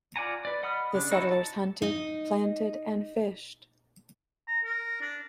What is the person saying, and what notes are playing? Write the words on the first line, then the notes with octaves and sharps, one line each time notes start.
The settlers hunted, planted and fished.
F4 D5 F#5 G#5 A#5
B4 D5
D#5 F#5 B5 D#6 F6
C#3 D4
D#4 E4 F#4 A4
A5
D#4 D#5
A#5
A#4
D4